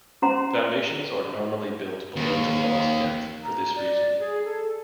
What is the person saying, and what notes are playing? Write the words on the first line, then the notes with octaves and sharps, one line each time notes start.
Foundations are normally built below the frost depth for this reason.
C#4 C5 F#5 A#5 C6
D#2
A#5
D5
G#4
A4